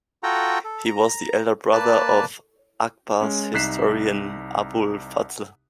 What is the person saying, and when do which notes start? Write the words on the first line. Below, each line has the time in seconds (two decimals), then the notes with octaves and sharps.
He was the elder brother of Akbar's historian Abul Fazl.
0.23 F4 F#4 A4 F#5 G5 A#5
0.64 A4
0.86 A#5
1.72 A#3 B4 D5 A5
3.21 G#3 C#4
3.54 C2 D#4 F#6 B6 C7 E7